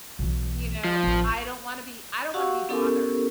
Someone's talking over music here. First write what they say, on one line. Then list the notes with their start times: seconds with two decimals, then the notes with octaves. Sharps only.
you know, I don't wanna be I don't wanna be bothered.
0.19 B1 E3
0.84 F3
1.03 A1 C4
2.34 F#4 G4 F5 F#5 C#6 E6
2.69 B3 C#4 E4 G4 A4 A#4